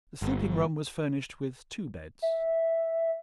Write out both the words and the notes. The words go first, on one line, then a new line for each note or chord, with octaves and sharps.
The sleeping-room was furnished with two beds.
G1
E5